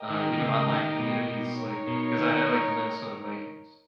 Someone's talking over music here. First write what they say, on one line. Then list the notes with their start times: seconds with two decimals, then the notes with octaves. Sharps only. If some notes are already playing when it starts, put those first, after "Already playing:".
uh, even online communities, like, because I I like the Minnesota Vikings.
Already playing: G4 A#4 D#5 G5
0.10 D#3
0.33 D#3
0.39 C#3
0.69 D#3
0.98 B2
1.28 B2
1.58 D#4 A#4 C#5
1.87 B2
2.18 D#3